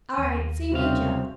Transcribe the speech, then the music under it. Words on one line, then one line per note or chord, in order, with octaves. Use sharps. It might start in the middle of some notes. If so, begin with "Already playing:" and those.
All right, see me jump.
D#2 A#6 D#7
C2 C#3 C4 F#4 C5 E5 F5